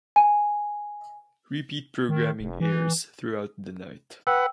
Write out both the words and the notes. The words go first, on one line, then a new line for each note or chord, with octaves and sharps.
Repeat programming airs throughout the night.
G#5
D#3
F1
E3
B4 F#5 G5 E6